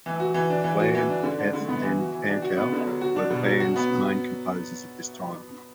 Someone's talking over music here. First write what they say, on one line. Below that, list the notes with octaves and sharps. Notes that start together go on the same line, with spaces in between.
Lamm, Kath and Pankow were the band's main composers at this time.
E3
F#4
E3
D4
E3
F#4
E3
D4
D3
D4
D3
B3
E3
F#4
E3
D4
F#4
B3
D3
F#3
F#4
D4
B2
F#3
F#4
B3